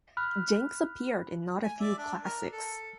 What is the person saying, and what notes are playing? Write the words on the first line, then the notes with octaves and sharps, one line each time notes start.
Jenks appeared in not a few classics.
B5 F6 F#6
G#5
D5 E5
D4
A#4
A4